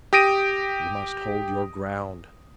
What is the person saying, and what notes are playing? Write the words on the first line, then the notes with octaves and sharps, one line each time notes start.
"You must hold your ground."
G4 D#6 A#6 D7 D#7